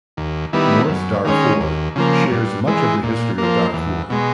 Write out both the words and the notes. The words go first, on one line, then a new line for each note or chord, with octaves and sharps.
North Darfur shares much of the history of Darfur.
D#2
D#3 G3 B3 E4
F#2
D#3 G#3 C#4
D#2
C#3 F3 A#3
G2
E3 G#3
A#2
F3 A#3
E2
B2 G#3